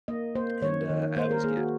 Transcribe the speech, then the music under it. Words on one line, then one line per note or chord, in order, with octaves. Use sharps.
And, uh, I always get
A#3 D#5
A#3 C5
D#3 C#5
D#3
A#3 C5
A#4
A#3 G#4
F#4